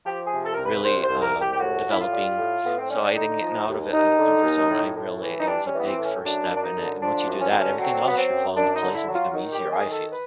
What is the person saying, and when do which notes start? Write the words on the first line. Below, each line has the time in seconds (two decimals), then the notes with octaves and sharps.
really, um, developing, so I think getting out of it- the comfort zone- I really is a big first step; and it and once you do that, everything else should fall into place and become easier, I feel.
0.06 F3 G4
0.26 G#4
0.32 C3
0.44 A4
0.54 C2 A#4
0.64 B4
0.83 C2 C5
1.02 C5
1.09 C2
1.22 A#4
1.34 C2
1.41 G4
1.53 G4
1.60 A2 F#4
1.86 A2 E4
1.99 F4
2.11 G3
2.38 A2
2.63 A2 B3
2.77 C4
2.90 G3 C#4
3.03 D4
3.15 D3 D#4
3.41 F3
3.67 D#2
3.92 D#2 D#4
4.18 D3
4.44 D#2
4.70 A2
4.96 A2
5.21 E3
5.40 D#4
5.47 G3 D4
5.66 C#4
5.73 E3
5.79 B3
5.85 C4
5.98 A2
6.05 C#4
6.24 F#2 D4
6.50 F#2
6.55 D4
6.63 D#4
6.76 D3
7.02 F3 D4
7.27 F#2
7.40 C#4
7.49 D3 C4
7.59 C#4
7.79 F#3 C4
8.04 F#3 B3
8.17 C4
8.30 F#2
8.56 F#2 D4
8.75 D#4
8.82 D3
8.94 E4
9.07 F#3
9.14 F4
9.33 D#3
9.53 G4
9.59 F#2
9.72 G#4
9.85 D#3
9.91 A4
10.11 B4